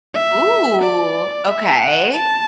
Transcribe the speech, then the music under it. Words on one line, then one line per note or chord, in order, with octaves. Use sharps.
Ooh, okay.
E5
D5
E5
F#5
A5